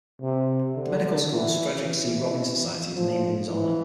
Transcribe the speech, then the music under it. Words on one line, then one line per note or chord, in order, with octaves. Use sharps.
The medical school's "Frederick C. Robbins Society" is named in his honor.
C3
D3
E3
E3
F3
E3